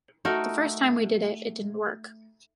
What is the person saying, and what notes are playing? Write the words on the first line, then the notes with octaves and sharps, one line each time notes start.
The first time we did it, it didn't work.
A3 D#4 F#4 A#4